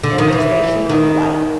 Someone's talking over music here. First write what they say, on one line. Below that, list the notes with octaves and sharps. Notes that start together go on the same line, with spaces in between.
Imitation of Life.
D3
D#3
E3
D#3